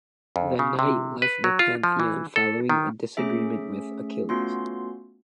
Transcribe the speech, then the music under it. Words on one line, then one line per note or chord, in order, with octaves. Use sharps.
The Knight left the Pantheon following a disagreement with Achilles.
F2
C#3
C3
B4
F#3
F4
F3
E3
A4
D#3
A3 C#4 G#4 E5
A3 B3 C#4 F4 F#4 C6